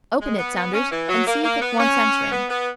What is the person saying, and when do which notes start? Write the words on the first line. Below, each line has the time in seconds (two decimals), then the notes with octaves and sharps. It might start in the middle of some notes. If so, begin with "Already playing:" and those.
"Open it, Saunders, and see if it wants answering."
0.21 G#3
0.38 B3
0.56 B3
0.74 C#4
0.91 E3
1.09 F#3
1.26 A#3
1.44 A#3
1.61 B3
1.79 C#4
2.32 B3
2.49 B3